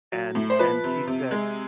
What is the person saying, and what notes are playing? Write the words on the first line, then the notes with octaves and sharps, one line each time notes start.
And and she said
F#3
A2
C5
F3 B4
C3
C3
G#3